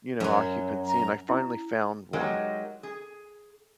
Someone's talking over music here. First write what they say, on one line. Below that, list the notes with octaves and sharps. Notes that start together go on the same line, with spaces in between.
you know, occupancy, and I finally found one.
F#2 F#3
A#5
E4
F#3 G#3 D#4 G4 A#4
G#4